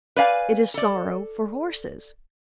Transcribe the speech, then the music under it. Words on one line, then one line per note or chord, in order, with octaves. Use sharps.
It is sorrow for horses.
B4 D5 F5 G#5
A4 D5